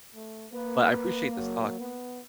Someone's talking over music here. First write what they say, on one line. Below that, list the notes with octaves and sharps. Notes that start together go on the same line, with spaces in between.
but I appreciate this talk.
A3
A#3 B4
F#3
B3